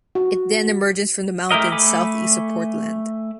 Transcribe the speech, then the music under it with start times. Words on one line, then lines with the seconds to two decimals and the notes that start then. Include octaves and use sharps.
It then emerges from the mountains southeast of Portland.
0.15 F#4
1.51 A3 E4 G4 A#4 D#5
1.72 A3 G#5 B5 D6